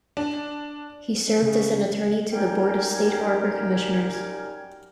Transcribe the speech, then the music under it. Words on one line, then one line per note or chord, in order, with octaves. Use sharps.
He served as an attorney to the Board of State Harbor Commissioners.
D4
C#3
F#2 G3 D#4 G5 G#5 F6